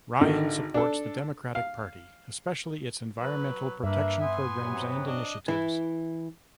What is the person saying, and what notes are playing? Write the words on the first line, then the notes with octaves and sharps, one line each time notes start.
Ryan supports the Democratic Party, especially its environmental protection programs and initiatives.
G#1 D3 D#3
D4 A4
F5
F#3 B4
G2 A#3 D4 B4 E5
B3 G#5 C6
C3 E3 F#3
D4 D#5
E3 E4